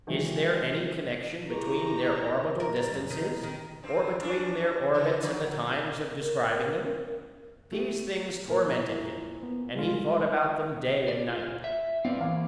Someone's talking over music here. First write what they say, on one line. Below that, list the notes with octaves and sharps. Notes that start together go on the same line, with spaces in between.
Is there any connection between their orbital distances, or between their orbits and the times of describing them? These things tormented him, and he thought about them day and night.
D#3 E3 F#3 G#3
E4 G4 G#4 A#5 C#6
A#4
G3
F#2
D#3
D#3
G2 C4
G3 C#4 D4
C#3 E3
D3 F3 F#3
A#4
A3 G4
A#2 F3 A#4
E4
B3
G3 G#3 F4
D5
F4
E5
C4 B4 D5 F5
E3 A#3 F5